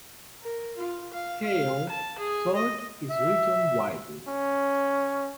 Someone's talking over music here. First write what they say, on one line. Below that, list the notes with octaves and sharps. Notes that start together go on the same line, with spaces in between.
Hale toured his region widely.
A#4
F4
F5
F5
A5
G#4
D#5
E5
C#4